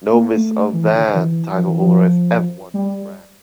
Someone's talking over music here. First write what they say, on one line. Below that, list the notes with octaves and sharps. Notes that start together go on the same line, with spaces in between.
No Miss Auvergne titleholder has ever won Miss France.
A#3
A3
E3
D3
E3
F3
E3
F3
G3